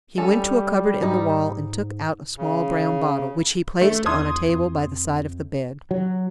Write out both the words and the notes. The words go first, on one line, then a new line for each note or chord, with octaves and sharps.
He went to a cupboard in the wall, and took out a small brown bottle, which he placed on a table by the side of the bed.
G3 C#4 A4
G#2 D#4
C#3
A3
E2 C6 D#6 G#6
F2
F#3